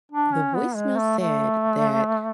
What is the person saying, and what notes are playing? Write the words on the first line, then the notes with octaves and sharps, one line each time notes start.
The voicemail said that
D4
C#4
B3
G#3
A3
A3